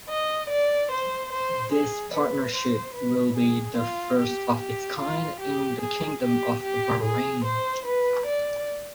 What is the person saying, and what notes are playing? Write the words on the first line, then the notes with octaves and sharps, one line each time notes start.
This partnership will be the first of its kind in the Kingdom of Bahrain.
D#5
D5
C5
C5
G#4
B4
C5
B4
G#4
F4
G4
G4
F4
G4
G#4
G4
G4
G#4
C5
B4
D5